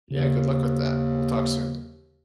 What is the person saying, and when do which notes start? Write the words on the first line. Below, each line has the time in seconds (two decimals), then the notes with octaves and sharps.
Yeah. Good luck with that. We'll talk soon.
0.11 D#2 C#3